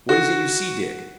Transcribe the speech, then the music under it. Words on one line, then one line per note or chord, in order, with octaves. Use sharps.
"What is it you see, Dick?"
F#4